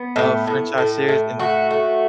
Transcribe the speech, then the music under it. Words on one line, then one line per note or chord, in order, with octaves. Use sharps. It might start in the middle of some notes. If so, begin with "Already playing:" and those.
uh, franchise series, and
Already playing: B3
A2
A2
A2
A2
A3 F#4
A3